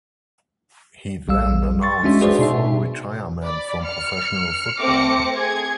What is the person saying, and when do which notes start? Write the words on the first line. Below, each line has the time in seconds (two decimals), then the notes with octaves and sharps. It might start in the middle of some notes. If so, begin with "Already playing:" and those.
He then announced his full retirement from professional football.
1.28 A#1 G3 F5 E6
1.82 C6 C#6 A6
2.03 G#3 C#4 D4 F#4 E5
2.21 F#4 G#4 B4 C5 D5 C6
2.39 B2 D#4 E5
3.43 D5 B5
3.82 F6 C#7
4.79 A3 C4 D6 A#6 C#7
5.36 G#4 G#6